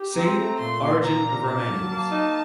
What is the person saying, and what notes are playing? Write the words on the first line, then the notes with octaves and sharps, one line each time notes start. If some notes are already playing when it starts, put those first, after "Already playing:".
See: Origin of Romanians.
Already playing: G4
C4 A#5
A3
A#2 C6
A#2
A#2 A#5
D4
A#3 A5
F#3
A#3
D#4